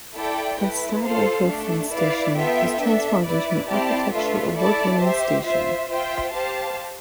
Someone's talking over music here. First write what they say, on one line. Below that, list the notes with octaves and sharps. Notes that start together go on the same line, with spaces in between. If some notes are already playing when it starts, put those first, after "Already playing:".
The Stadelhofen station was transformed into an architecture award-winning station.
E4 A4 D5 G5
A3 E4 B4
F4 A4 C5 F5
A3 D4 A4
E4 B4 D5 F5
B3 F4 A4 E5 G5
D4 A4 E5
E4 B4 D5
C4 E4 G4 D5 A5
A3 D4 F4 B4 E5
E4 A4 D5 A5
G4 C5 E5
F4 C5 E5
F4 C5 E5 G5
G4 C5 F5 A5